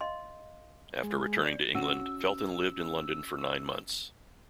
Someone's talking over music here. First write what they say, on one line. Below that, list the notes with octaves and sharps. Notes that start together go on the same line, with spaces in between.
After returning to England, Felton lived in London for nine months.
D#5 F5 C6
G#3
D5
C#4 F#4 E6